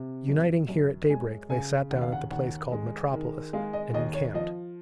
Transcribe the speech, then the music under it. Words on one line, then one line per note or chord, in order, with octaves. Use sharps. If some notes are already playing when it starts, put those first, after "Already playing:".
Uniting here at daybreak, they sat down at the place called Metropolis, and encamped.
Already playing: C3
F#2
F#2
G#3 G#5
C#3 G#5
D#2 F#5
F5
F#5
D#2 F#5
G#3
D#3
G#3 F5
D#5
D#2 D#5
C#5
F3 D#5